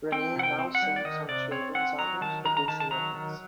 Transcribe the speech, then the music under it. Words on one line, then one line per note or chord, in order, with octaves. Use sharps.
Renee now sings on children's albums for Disney Records.
C4 G5
C3 F#5
G5
C4
F#5
G3
D5
D#3 D#5
C3 D5
C4 C#5
C4 F#5
F#3 A#5
D#3 A5
D#3 A#5
A#5
D#3 A5
A5
F#3 A#5
D#3